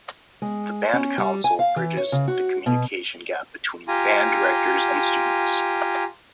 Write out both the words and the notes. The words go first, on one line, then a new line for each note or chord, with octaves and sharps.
The Band Council bridges the communication gap between the band directors and students.
G#3
C#4
G3
G#5
F5
E3
C#5
C#3
F#4
B2
F4 G4 G#5 A#5